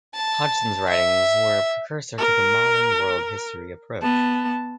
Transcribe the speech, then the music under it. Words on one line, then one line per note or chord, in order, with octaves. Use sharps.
Hodgson's writings were a precursor to the modern world history approach.
A5
E5
A#4
B3 A5